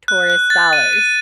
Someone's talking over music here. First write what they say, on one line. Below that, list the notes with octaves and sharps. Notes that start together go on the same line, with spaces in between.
tourist dollars.
F#6
F#6
A6
D#7
D#7